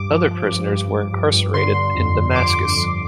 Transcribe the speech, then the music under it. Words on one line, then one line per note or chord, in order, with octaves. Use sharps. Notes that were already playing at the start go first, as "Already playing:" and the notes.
Other prisoners were incarcerated in Damascus.
Already playing: G2 D6
F3
F3
G2
G2
G2
G2
G2
D3 C6
D3
F2
D3
C6
F2 D6
F2
F2